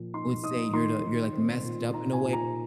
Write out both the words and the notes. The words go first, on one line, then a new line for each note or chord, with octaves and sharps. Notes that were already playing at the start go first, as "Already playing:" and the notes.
I would say you're the you're, like, messed up in a way
Already playing: A#2 F3
D#4 C6
D#4 D#6
D#3 C6
D#3
C4
A#2
D#4 A#5
G#5
A#2
A#5